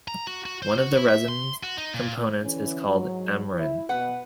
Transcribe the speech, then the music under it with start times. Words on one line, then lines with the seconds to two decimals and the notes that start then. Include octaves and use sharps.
One of the resin components is called amyrin.
0.08 A#5
0.27 F#4
0.45 F#4
0.63 C5
0.78 F#4
0.96 E4
1.09 E5
1.28 C6
1.63 F#4
1.77 D#4
1.94 A#2
2.43 D3 E3 C#4
2.87 G#2 F#3
3.54 E4
3.89 B2 B3 B4 F#5